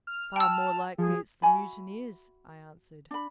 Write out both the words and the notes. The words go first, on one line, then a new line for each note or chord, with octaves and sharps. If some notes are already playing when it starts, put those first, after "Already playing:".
"Far more likely it's the mutineers," I answered.
F6
G5 A5 E6
F3 G#4
F#4 E5 G#5 B5
D4 B5